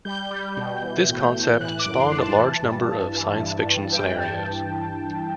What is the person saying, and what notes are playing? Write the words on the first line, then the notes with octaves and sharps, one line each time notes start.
This concept spawned a large number of science fiction scenarios.
G3 G6
G3
B2
E3
A2
A2
E3 F#6
D6
F#2
C6
F#2
A5
E3
G2
G2
E3
G2
G2
E3 G5
G2 A5